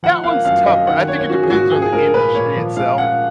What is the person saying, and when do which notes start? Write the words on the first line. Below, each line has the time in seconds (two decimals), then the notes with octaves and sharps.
that one's tougher. I think it depends on the industry itself.
0.03 F3 F#5
0.24 A#3 F5
0.45 F#2 F5
0.66 F#2 D#5
0.87 D#3 F#5
1.08 A#3 C#5
1.19 C#5
1.30 C#4 F#4
1.43 G#4
1.50 G#2 F#4
1.71 F3 G#4
1.82 G#4
1.92 G#3 A#4
2.14 A#2 B4
2.34 A#2 C#5
2.56 F3
2.77 G#3 F5
2.98 C#4 F#5